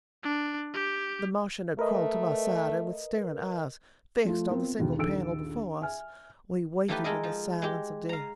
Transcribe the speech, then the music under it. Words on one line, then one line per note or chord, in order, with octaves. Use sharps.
The Martian had crawled to my side and with staring eyes fixed on the single panel before us we waited in the silence of death.
D4
G4
A3 A#4 B4 D#5
F3 A3 F4
B3 C4 F4 A#4
E1 D#2 B2
A#1 D#2 A4 E6 D7
E5 G#5 F6
E3 F3 A3 D#4 G4 B4
G#3 A4 A#4 D#5
F3
G#3 G4
F5 A#5